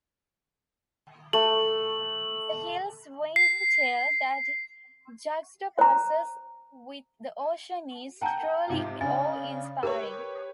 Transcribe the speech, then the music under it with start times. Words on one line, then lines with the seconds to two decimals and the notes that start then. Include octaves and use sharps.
The hill's winding trail that juxtaposes with the ocean is truly awe-inspiring.
1.33 A3 F#7
3.36 C7
5.79 C5 A#5
8.21 F#5 G5 A5 A#5 G6
8.67 G#2 C3 F4
9.01 C#3 D4 G#5 A6
9.83 G4 A#4 B4 C#5